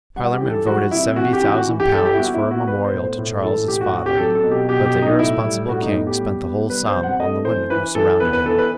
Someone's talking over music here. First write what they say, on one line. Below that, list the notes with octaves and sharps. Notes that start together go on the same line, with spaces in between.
Parliament voted seventy thousand pounds for a memorial to Charles's father, but the irresponsible king spent the whole sum on the women who surrounded him.
G3 F#5
G4
E3
A4
G3 F#4
C3 E4
E3 F#4
G4
E3
F#4
E3
G4
G3 A4
G4
E4
B3 F#4
E4
B3
F#4
B3 B4
C5
A2
C5
A2
E3 A4
A2 G4
F#4
C4 F#4
G4
F#3 A4
A4
B2
G4
B2 G4
G4
F#3
D#4
A2 E4
G3
A2 F#4
D#4
B3
G4
G3
B3
G3 B4
C5
C3
F#5
A3 D#5
E3 C5
E3 B4
E3 A4
B3 B4
B4
E3 A4
B4